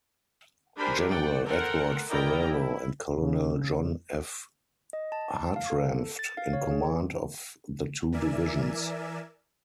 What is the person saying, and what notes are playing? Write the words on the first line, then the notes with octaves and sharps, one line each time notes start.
General Edward Ferrero and Colonel John F. Hartranft in command of the two divisions.
D4 G4 A#4 C5 G#5 B5
D5 F#5 G5
A4 A#4 C5 F#5 G5
E4 A#4 D5 D#5 G5 A#5
E4
C#3
D#5
A5
F5
A4
A6
F5
C#5
G#4
E3 A#4 D5 E5 G#5 E7